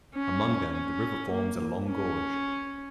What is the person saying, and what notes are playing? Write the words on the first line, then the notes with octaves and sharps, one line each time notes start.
Among them, the river forms a long gorge.
C#4
C#4
A#3
C#4